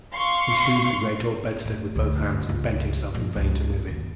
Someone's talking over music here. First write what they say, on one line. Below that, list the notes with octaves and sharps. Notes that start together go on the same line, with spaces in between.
He seized the great old bedstead with both hands, and bent himself in vain to move it.
F5 C6 C#6
A2
D2
C#2
A#1
C#2
G1 D#2